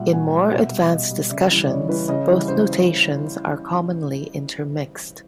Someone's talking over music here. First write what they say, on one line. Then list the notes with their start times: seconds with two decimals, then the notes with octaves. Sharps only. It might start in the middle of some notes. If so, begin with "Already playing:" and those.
In more advanced discussions, both notations are commonly intermixed.
Already playing: A#2 G3 E5 F#5
0.13 A#2 F#5 G#5
0.32 G3
0.52 B2 E5 F#5
0.71 G3
0.91 B2 D#5 F5
1.11 G3
1.30 C#3 D5 E5
1.50 E3 G3
1.64 D5
1.70 C#3 C#5 D#5
1.89 E3 G3 B4 C#5
2.08 C#3 C#5 D#5
2.28 E3 G3
2.48 C#3 C5